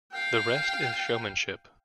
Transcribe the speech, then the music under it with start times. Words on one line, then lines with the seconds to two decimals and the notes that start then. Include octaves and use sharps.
The rest is showmanship.
0.12 F5 G5